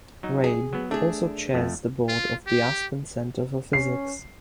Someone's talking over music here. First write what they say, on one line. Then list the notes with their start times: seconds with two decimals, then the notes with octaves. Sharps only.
Rabe also chairs the board of the Aspen Center for Physics.
0.23 F#3 D#4
0.44 G#4
0.73 F#3 B3
0.91 A3 D4 G#4
1.54 F2 A3
2.08 F4
2.47 G4
3.73 C#4 C7